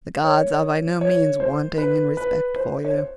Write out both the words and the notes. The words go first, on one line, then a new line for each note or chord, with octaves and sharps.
The gods are by no means wanting in respect for you.
C#5
C#5
C5
B4
B4
C5
C#5
C5